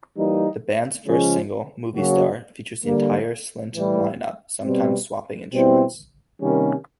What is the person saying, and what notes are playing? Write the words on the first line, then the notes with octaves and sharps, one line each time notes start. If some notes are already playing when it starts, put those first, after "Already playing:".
The band's first single, "Movie Star", features the entire Slint line-up, sometimes swapping instruments.
E3 G3 A#3 D#4
C#3 F3 G#3 C#4
C#3 F#3 A#3 C#4 F#4
D3 G3 A#3
A2 E3 G3
B2 G3 C4
B2 G3 C4 E4
C3 D#3 G3 A#3 C#4